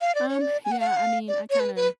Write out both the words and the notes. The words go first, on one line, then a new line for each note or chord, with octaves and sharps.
Um, yeah, I mean, I kinda
F5
D5
C#5
D5
G#5
F#5
F5
F#5
F5
D5
C#5
B4
B4